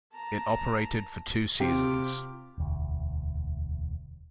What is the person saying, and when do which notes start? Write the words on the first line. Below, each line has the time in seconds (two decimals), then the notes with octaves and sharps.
It operated for two seasons.
0.14 A5 A#5
1.60 C3 F4 G4 D6
2.58 E1 D2